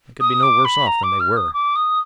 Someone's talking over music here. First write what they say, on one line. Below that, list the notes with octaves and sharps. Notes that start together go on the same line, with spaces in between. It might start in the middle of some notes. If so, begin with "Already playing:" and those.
They could be no worse off than they were.
D#6
D6
B5
A#5
D6
F6
D#6
D6
D#6